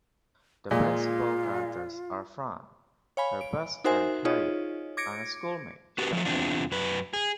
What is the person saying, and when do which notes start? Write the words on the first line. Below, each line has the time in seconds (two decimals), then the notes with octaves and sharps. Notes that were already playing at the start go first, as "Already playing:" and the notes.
The principal characters are Fran, her best friend Harriet, and a schoolmate, Shahid.
0.71 A#2 G#3 F4
3.17 C#5 F5 G#5 B5
3.41 D7
3.84 D#4 F#4 A#4 C5 E5 G#5
4.25 D#4 F4 G#4 C#5 D#5
4.97 D6 G#6 A#6 C#7 D7
5.98 F#4 G4 A4 B4
6.13 F3 F#3 A3
6.25 E2 C3 G3 C4 D4 F4
6.71 F#2 B4
7.13 G#4